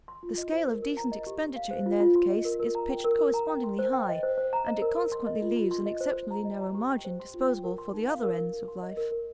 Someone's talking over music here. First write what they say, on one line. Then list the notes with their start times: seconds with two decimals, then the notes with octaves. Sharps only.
The scale of decent expenditure in their case is pitched correspondingly high, and it consequently leaves an exceptionally narrow margin disposable for the other ends of life.
0.08 C6
0.23 F4
0.38 D#5
0.52 C5
0.67 A#4
0.82 A#4
0.97 A#5
1.12 D#5
1.27 G4
1.42 G4
1.56 F5
1.71 C5
1.86 F4
2.00 F4
2.16 C6
2.30 D#5
2.45 A#4
2.60 A#4
2.75 A#5
2.90 G5
3.05 A#4
3.19 A#4
3.34 A#5
3.49 G5
3.64 C6
3.79 C5
3.93 G5
4.09 D#5
4.23 C5
4.37 C5
4.53 A#5
4.67 D#5
4.82 A#4
4.97 A#4
5.12 C6
5.26 D#5
5.42 F4
5.56 F4
5.71 C6
5.86 D#5
6.01 C5
6.16 C5
6.31 A#5
6.45 D#5
6.60 A#5
6.75 G4
6.90 G5
7.05 C5
7.20 C6
7.34 F4
7.49 G5
7.64 A#4
7.78 C6
7.94 D#4
8.08 F5
8.23 A#4
8.38 A#4
8.53 A#4
8.68 C6
8.82 D#5
8.97 A#4
9.11 A#4